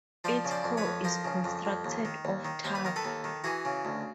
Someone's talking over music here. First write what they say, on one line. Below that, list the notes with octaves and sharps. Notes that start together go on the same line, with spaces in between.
Its core is constructed of tuff.
F3 C5 D5
C#3
C5 D5
F2
B4 C#5
F2
F3 A#4 C5
C#3
F2
F2
D#2
D#3
D#2
D#3
D#2 C5
B4
D#3 A#4
A4 B4
D#2
D#3
E3 F#4 G#4
C#3
D2